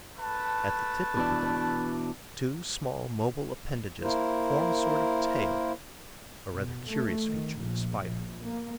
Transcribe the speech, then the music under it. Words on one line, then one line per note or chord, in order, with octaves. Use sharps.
At the tip of the belly, two small, mobile appendages form a sort of tail, a rather curious feature in a Spider.
A3 B4 A5
B2 E3 D4
A#3 E4 A#4 C5
B2
A3
D#3
A#1
A#1
A#3